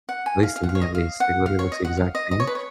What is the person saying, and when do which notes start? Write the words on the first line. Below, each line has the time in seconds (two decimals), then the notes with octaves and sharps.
at least to me at least, like literally looks the exact same,
0.09 F#5
0.26 G#5
0.43 F5
0.56 F5
0.63 F#5
0.69 F5
0.75 C#5
0.82 D#5
0.95 F5
1.20 F#5
1.46 F5
1.59 C#5
1.72 D#5
1.85 F#5
1.97 F5
2.15 D#5
2.31 D#5
2.40 C#5
2.47 B4
2.55 C#5